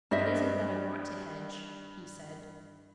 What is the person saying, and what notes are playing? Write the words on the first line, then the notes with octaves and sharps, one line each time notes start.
'It isn't that I want to hedge,' he said.
G2 C5 D#5 E5